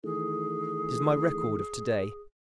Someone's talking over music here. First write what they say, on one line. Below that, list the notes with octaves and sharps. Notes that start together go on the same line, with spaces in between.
It is my record of to-day.
D#3 E3 A3 G#4